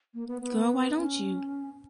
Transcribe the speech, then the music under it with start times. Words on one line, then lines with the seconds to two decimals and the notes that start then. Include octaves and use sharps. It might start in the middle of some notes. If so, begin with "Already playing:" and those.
Girl Why Don't You?
0.14 A#3
0.28 B3
0.42 B3
0.96 C#4